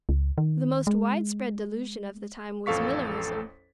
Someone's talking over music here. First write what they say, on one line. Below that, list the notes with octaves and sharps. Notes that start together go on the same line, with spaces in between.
The most widespread delusion of the time was Millerism.
C#2
D#3
G#3
A1 F2 A4 F5 C#6 B6